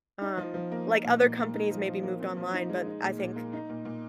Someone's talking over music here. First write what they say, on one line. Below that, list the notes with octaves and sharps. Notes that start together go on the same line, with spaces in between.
Um, like, other companies maybe moved online, but I think
D#4
F3
F3
A#3
D#4
A#2
A#2
A#3
D#4
F3
F3
A#3
C4
F3
D#4
G#3
D#4
A#2
A#2
A#3
D#4
A#2
A#2